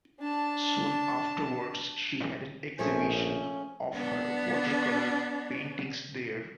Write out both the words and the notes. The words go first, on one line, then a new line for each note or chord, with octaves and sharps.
Soon afterwards she had an exhibition of her watercolor paintings there.
D4 A5
A#1 F3 A3 C#4 G#4 G#5
C#4
B3 D4